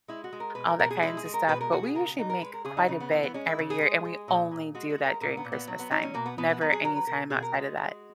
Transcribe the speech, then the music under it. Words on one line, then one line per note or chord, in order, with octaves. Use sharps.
all that kinds of stuff, but we usually make quite a bit every year, and we only do that during Christmastime. Never any time outside of that.
G#3 E4
F#4
G#3
A#4
B2 B4
A#4
B2 A#4
G#4
G#3 E4
G#4
G#3
A#4
B2 B4
A#4
B2 F#4
G#4
C#3 A#4
E3 D#4
A#4
G#3 B4
A#4
C#3 G#4
D#4
C#3
B3
E3 B3
B3
G#3 C#4
E4
C#3
G#4
G#3
G#3
A#2
A#2
G#3 F#4
F#4
G#3
A#4
A#2 A#4
B3
A#2
B3
F#3
B3
F#3 D#4
C#4
B2 A#3
B3
B2 B3
B3
F#3 B3
G#4
F#3 A#4
B4
B2 A#4
B2 G#4
A#4
G#3 F#4
G#3